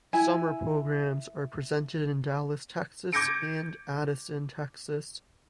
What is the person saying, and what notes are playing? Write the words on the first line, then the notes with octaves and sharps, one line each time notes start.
Summer programs are presented in Dallas, Texas, and Addison, Texas.
E4 G#5
D6 G6 G#6 A#6 C#7 D7